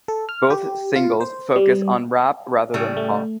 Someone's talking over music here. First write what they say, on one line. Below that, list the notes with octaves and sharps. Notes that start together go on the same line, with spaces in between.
Both singles focused on rap rather than pop.
A4
F6
G4
F4
C5
G3
A2 C#3 G3
A3